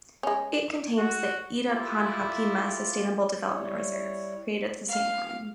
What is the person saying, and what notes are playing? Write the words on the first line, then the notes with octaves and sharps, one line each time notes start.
It contains the Itapanhapima Sustainable Development Reserve, created at the same time.
G#3 C#4
F#4
A3 E4 F4 G4
G3 E4 C#5
F5